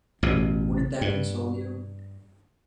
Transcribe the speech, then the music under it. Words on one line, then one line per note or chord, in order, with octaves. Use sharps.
Wouldn't that console you?
A1 E2 B2
G2